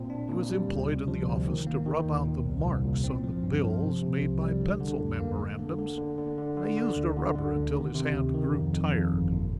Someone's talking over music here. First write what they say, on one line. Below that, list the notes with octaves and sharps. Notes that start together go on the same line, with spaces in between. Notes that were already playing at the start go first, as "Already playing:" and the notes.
He was employed in the office to rub out the marks on the bills made by pencil memorandums, and he used a rubber until his hand grew tired.
Already playing: A#2 C4
D4
A#2
G3
D2
C3
F3
D2
D#3
A#3
D#3
D#2
A#2
C2
C2
A#2
C4
F3
G2
F3
C3
C3
C2
G3
D3
D3
F2
A#3
A3
D3
D3
D3
D3
D3
D3
D3
D2
D3
D3
D2
D#3
C3
D2
D#3
F2
F2
F2
G1
A#2